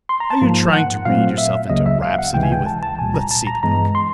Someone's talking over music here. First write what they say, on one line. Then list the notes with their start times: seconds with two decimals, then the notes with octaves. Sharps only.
"Are you trying to read yourself into a rhapsody with--let's see the book."
0.09 C6
0.20 A#5
0.30 A5
0.41 G#2 F3 A#3
0.73 F#5
1.05 A#2 F#3 A3 C4 F5
1.38 E5
1.70 C#2 C#3 F#3 A#3 D#5
1.86 E5
2.02 F5
2.18 F#5
2.34 C#2 C3 E3 G#3 G5
2.43 G#5
2.52 G5
2.66 A5
2.83 A5
2.99 C2 A#2 G3 G#5
3.14 A#5
3.31 A5
3.47 A#5
3.63 G2 E3 G#3 B3 A#5
3.95 C6